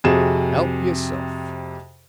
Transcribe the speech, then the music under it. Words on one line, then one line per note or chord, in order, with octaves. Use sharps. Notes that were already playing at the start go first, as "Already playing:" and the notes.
"Help yourself."
F2 C3 F#4 G#4 E7